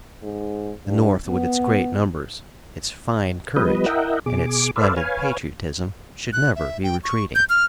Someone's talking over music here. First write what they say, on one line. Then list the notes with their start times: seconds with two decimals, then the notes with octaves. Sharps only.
The North with its great numbers, its fine courage and its splendid patriotism should never be retreating.
0.23 G#2
0.87 G2
1.27 B3
3.56 F3 G3 B3 B4 D#5
3.86 E4 A#4 D#5 E5 F#5 G5
4.26 B2 G#4 D6
4.76 A4 B4 C5 D5 E5 F5
4.97 B4 C#5 F5 G#5
6.33 F#6
6.56 E5
6.83 G5
7.04 C#6
7.35 G6
7.50 F6